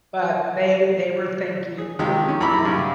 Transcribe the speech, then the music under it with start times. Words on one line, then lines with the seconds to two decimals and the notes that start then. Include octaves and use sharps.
But they they were thinking
1.78 G#4
1.99 C3 D#3 F3 G#3 G4
2.28 C#4
2.41 F#2 E4 B5 D6
2.65 G2 C#3